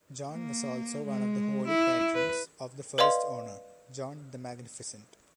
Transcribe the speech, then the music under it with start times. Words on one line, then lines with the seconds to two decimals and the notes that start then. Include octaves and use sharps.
John was also one of the holy patrons of the first owner, John the Magnificent.
0.33 A#3
1.06 G#3
1.67 E4
2.14 B4
2.98 B4 D5 D#5 F5 C6